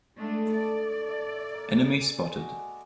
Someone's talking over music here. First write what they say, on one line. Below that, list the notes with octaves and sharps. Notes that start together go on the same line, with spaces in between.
Enemy spotted!
D3 G#3 A3 D4 A4 D#5
A3 D5
E5
A#3
G#5
G#3 F#4 D5